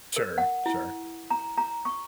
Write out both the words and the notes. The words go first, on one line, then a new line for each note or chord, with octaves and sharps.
Sure, sure.
A#4
F#5
E4
A#5
A#5
C#6